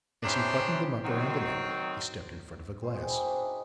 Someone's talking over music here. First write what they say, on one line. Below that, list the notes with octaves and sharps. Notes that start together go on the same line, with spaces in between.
As he buttoned them up around the neck he stepped in front of a glass.
D#3 E3 C#4 D4 G4 C5
D#3 F#3 C4
C4 C5
F#4 G#4 G5 D6
E4 D6
D4 C#5 D5 E5
D#4